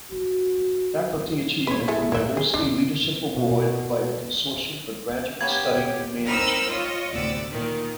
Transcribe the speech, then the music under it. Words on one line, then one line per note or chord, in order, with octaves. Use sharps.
Faculty Achievement and Diversity Leadership Award by the Consortium for Graduate Study in Management.
F#4
B4 C#5
E4 G#4 A4
A#3 E5
G#4
D4
B2
A#3 B3 C#4 G4 C#5 G#6
C4 D#4 A#4 B5 E6 F6
F4 C#5 D#5
D2 A2 C3 B3 D5 E6
A#2 D#3